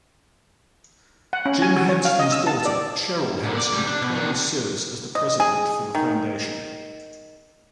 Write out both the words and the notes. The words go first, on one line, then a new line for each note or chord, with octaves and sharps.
Jim Henson's daughter Cheryl Henson currently serves as the president for the Foundation.
F#5
C#4
G#5
F#4
C#5
F5
D#5
E6
A5
D5
A#2 D3
D5
C#2 G3
D4
B2
D#3 D4
D#5
G#4
D#3